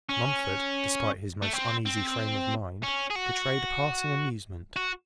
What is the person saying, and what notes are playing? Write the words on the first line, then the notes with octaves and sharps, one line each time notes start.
Mumford, despite his most uneasy frame of mind, betrayed a passing amusement.
C#4
A3
C4
C4
C#4
G#4
F#4
F#4